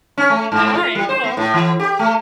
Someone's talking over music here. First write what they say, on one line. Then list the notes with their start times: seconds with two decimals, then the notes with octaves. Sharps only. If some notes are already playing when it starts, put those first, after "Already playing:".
alright, cool.
0.18 C#4
0.30 A3
0.52 G#2
0.75 F4
0.95 G3
1.09 C5
1.24 B3
1.37 A2
1.54 E3
1.80 G4
1.99 A3